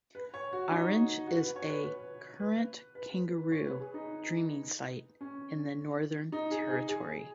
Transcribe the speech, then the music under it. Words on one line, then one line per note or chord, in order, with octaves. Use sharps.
Aherrenge is a current kangaroo dreaming site in the Northern Territory.
B4
C#5
F#4
D#4
F#4
B4
C#5
B4
B4
B4
B4
B4
B4
B4
C#5
B4
G#4
D#4
C#4
D#4
G#4
G#4
G#4